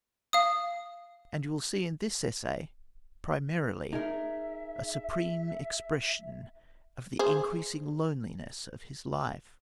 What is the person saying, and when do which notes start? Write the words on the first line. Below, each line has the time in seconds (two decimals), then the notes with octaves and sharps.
And you will see in this essay, primarily, a supreme expression of the increasing loneliness of his life.
0.33 F5 D#6
3.93 D#4 G#4 A#4 E5
7.19 G#4 C5